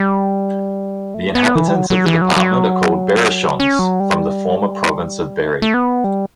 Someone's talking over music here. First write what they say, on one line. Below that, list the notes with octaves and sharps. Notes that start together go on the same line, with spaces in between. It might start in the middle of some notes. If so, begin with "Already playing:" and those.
The inhabitants of the department are called "Berrichons" from the former province of Berry.
Already playing: G3
A3
B3
E3
G3
F#3
F#3
E3
F#3
F#3
C#4
F#3
G3
A3
A3
B3
G3